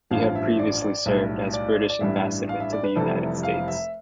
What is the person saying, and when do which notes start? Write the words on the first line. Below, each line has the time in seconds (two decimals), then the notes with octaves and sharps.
He had previously served as British Ambassador to the United States.
0.11 A1 G2 F3 F5
0.35 E5
0.59 D5
0.82 D5
1.06 B1 A2 G3 E5
1.53 D5
1.90 D5
2.01 A1 G2 E3 G3 E5
2.49 F5
2.60 E5
2.73 D5
2.84 B4
2.96 F1 F2 C3 E3 G3 A4
3.43 F5
3.68 E5